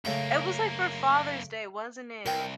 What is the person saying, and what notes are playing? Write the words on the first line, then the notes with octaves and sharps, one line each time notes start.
it was like for Father's Day, wasn't it?
F#2 C#3 A3 A#3 A#5
C2 A#4 G5